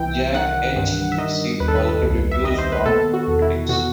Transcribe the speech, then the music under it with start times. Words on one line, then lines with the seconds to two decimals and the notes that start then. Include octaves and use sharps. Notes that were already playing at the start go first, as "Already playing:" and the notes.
"Jagged Edge" received positive reviews from critics.
Already playing: C2 E3 E5 G5
0.34 D#3 F#5
0.76 G2
1.12 E5
1.18 D#3 D#5
1.60 D#2 B4
1.68 A4
1.76 B4
2.02 C2
2.31 E5
2.44 D#3 D#5
2.58 C5
2.72 B4
2.86 B2 A4
3.14 F#4
3.27 E2
3.42 E4
3.69 B2 F#4